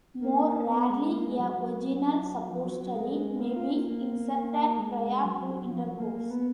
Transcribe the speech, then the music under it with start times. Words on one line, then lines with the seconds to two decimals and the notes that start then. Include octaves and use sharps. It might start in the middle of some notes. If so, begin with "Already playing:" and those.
More rarely, a vaginal suppository may be inserted prior to intercourse.
0.21 A#3
0.67 B3
0.90 G#3
1.12 A#3
1.27 G#3
1.39 F3
1.43 F#3
2.49 F3
2.65 F#3
2.80 F#3
2.95 G#3
3.40 A#3
3.56 F4
3.71 A#3
3.87 A#3
4.33 A#3
4.78 G#3
5.24 F#3
5.70 F3
5.85 F#3
6.00 A#3
6.15 A#3
6.30 B3